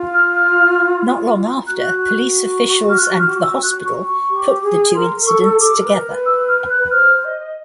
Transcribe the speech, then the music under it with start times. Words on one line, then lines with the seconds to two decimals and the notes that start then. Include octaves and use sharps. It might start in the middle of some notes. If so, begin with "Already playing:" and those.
Not long after, police officials and the hospital put the two incidents together.
Already playing: F4
0.14 F6
0.35 F6
1.66 F#4 F#6
2.90 F6
2.98 F#6
3.19 F6
3.42 E6
3.63 F#6
3.85 C#6
4.07 C#6
4.29 G4
4.62 G#4
4.95 A#4 C6
5.27 A4 C#6
5.61 A4 D6
5.77 A#4
5.86 B4
5.93 A#4
6.10 B4
6.26 E6
6.48 F6
6.70 F#6
6.79 B4
6.91 C5 F6
7.25 D#5